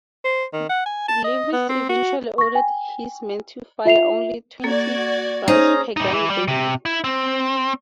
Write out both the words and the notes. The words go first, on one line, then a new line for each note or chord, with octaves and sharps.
Levis eventually ordered his men to fire only twenty rounds per gun daily.
C5
D#3
F#5
G#5
A5
D#5
B3
C4
F#4
C#6 A#6
G5 G#5
F4 E5 C7 F7
A#3 F#4 A4 D5 G#6
C#4 D#4 G#4 C5 A#5
G3 D#4
E3
G3
C3
E4
C4